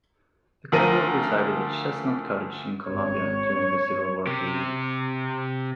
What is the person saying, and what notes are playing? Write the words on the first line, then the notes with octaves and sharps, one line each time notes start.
The couple resided at Chesnut Cottage in Columbia during the Civil War period.
D2 F3 A#4 D#7
G#1 C#5
C3 G4